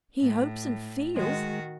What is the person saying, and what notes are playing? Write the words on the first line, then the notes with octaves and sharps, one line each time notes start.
'He hopes and fears.
A2
D#3 G#3 F#4